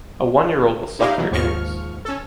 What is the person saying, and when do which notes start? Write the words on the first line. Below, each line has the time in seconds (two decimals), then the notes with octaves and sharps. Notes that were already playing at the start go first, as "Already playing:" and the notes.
A one-year old will suck your innards.
0.99 D#4 E4 G4 D#5 F5
1.18 E3 F#3
1.31 D#2 G#2 F3 C#6 F6
2.05 C#4 A4